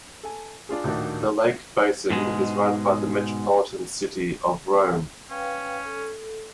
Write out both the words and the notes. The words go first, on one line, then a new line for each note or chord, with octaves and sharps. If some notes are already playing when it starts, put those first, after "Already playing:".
The lake basin is run by the Metropolitan City of Rome.
A4 G#5
D4 F4 G#4
D#1 A2 D#3 D4 F#4 D5
G#2 B2 G#3
C#4 B4 F5 G5
A4